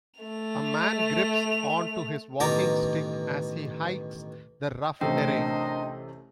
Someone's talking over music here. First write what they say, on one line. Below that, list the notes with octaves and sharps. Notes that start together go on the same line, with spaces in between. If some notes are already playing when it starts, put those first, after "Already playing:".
A man grips onto his walking stick as he hikes the rough terrain.
A3 F7
A1 B2 D#3 A5 A#5 D6
A1 C3 A3 D4 A#4 C5 D#5 G5